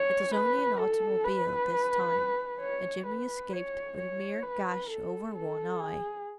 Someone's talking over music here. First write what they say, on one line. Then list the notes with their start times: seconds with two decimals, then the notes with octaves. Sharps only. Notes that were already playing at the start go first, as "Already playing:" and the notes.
It was only an automobile this time and Jimmy escaped with a mere gash over one eye.
Already playing: C#5
0.34 B4
0.79 A4
1.24 B4
2.61 C#5
3.07 B4
3.53 C#5
3.97 C#5
4.43 B4
4.89 A4
5.35 A4
5.80 G#4